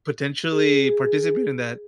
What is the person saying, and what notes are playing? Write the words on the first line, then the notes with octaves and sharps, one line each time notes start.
potentially participate in that
G#4